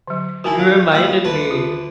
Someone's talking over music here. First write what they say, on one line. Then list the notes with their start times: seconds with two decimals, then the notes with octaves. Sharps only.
You reminded me.
0.07 D3 F#3
0.44 D#3 E4 F#4 G#5 A5
0.59 F#3 F5
0.92 G3 A#3 F4 F#4 B5
1.25 D2 B4 A5
1.51 F4